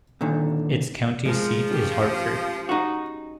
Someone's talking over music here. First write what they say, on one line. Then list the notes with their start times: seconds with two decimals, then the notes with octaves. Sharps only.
Its county seat is Hartford.
0.21 A#2 D3 D#3
1.25 F3 G#3 A#4
1.70 C#4 G4
2.69 D#4 F#4